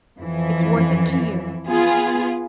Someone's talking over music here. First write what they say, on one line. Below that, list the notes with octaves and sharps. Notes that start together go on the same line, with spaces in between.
It's worth it to you.
F2 E3
B3 F4 G#4